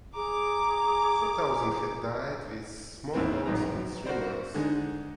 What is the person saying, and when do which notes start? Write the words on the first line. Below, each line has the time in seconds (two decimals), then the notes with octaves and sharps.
Four thousand had died with smallpox in three months.
0.15 G#4 A#5 D6
3.13 D#2 G#2 E3 B3 C4
3.46 A#1 F#2 D#3 B4 A#5
3.76 F#3
4.05 F#4 A#4 C5 D5
4.54 D3 G#3 D4 D#4